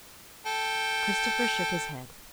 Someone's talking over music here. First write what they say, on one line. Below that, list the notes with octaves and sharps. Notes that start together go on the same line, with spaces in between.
Christopher shook his head.
A4 G5